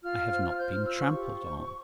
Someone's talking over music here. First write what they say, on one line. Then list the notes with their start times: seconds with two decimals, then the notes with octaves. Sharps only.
I have not been trampled on.
0.02 F4 F6
0.30 C5
0.57 C5 G6
0.71 F6
0.85 F4 E6
1.00 C#6
1.13 G4
1.42 C5